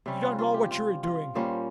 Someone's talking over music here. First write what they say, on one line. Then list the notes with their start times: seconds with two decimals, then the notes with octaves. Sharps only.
You don't know what you are doing.
0.06 C3 G3 C#4
0.23 F4
0.39 F4
0.54 G4
0.71 F4
1.03 F4
1.35 A#2 G3 A#3 C#4 C5